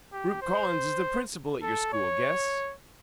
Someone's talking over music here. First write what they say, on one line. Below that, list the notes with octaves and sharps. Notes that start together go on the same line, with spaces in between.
"Rupe Collins is the principal at your school, guess."
G4
C5
A4
C#5